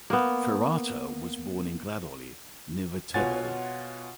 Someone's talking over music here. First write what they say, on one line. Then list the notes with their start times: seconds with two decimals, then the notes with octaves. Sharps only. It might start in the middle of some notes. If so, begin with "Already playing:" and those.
Ferrata was born in Gradoli, near Viterbo.
0.10 A#3 B3
3.14 B2 F4 C#5 F#5 G#5 A6